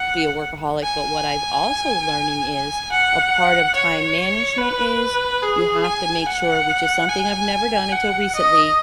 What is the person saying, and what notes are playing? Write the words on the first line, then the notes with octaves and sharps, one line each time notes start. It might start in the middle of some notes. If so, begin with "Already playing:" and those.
be a workaholic, but what I've also learning is a part of time management is you have to make sure, which is something I've never done until recently,
Already playing: F#5
G#5
F#5
C#5
B4
G#4
G#5
F#5
G#5
F#5
D#5